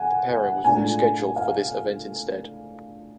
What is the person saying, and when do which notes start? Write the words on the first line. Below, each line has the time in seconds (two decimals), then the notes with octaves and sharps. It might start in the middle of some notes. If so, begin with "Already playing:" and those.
The pairing was rescheduled for this event instead.
Already playing: F#5 G#5
0.29 F#5
0.64 A2 G#3 D4 F4 G#5
1.36 F5